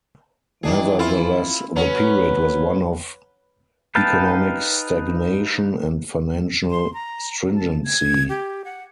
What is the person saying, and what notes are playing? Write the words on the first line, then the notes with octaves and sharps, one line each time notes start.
Nevertheless, the period was one of economic stagnation and financial stringency.
D#3 E3 D4 G#4
E4 F4
F#3 C#4 B4
D#4 B4 F5 G5 A5
C6
A#5
A5
G#6
G4
F#5